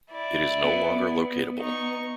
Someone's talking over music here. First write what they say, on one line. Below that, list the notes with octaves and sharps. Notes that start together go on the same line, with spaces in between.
It is no longer locatable.
E4 D5
B3
D#4 C#6